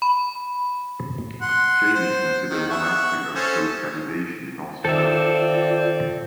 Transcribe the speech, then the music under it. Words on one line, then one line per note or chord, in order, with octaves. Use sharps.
Shame is considered one aspect of socialization in all societies.
B5
F#5 C6
C5
D#3
E5 F#5 C#6
C#4 A4 C5
D#3 C4 F4 A4 D5 E5